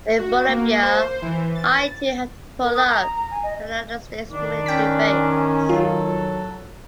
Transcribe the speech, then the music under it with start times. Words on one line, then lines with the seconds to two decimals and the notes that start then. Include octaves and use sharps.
In Bolivia I too have to put up with a United States military base.
0.19 F#4
0.48 A#3
0.82 C5
1.22 E3
1.55 A6
2.63 A#4
2.74 D#6
2.89 A#5
3.14 A#5
3.31 G#5
3.43 D#5
4.32 D#3 D4
4.66 C#4 G5 B6
5.69 F#3 F4 A4